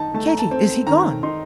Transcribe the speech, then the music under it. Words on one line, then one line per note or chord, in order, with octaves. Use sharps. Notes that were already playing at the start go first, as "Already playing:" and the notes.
"Katy, is he gone?"
Already playing: D#3 D#4 A5
A3 A5
A#5
A5
C4
D#3 A#5
D#4 C6